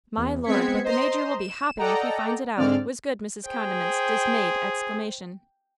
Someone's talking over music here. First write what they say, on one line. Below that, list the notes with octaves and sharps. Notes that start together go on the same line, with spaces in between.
"My Lord, but the major will be hopping if he finds it out!" was good Mrs. Condiment's dismayed exclamation.
E2
G#3 B3 C4 G#6 B6 C#7
C5 D#5 A#5 C6
E7
A4 D5 D#5 F#5 G5 A#5
G#2 D3 C4 D5 F6
G#4 C5 G5